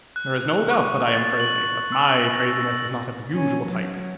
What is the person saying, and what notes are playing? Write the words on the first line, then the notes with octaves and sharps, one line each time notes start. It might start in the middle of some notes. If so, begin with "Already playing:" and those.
There is no doubt that I am crazy, but my craziness is not of the usual type.
F#6
C#6
A6
F#7
E6
A#6
C#4
F#3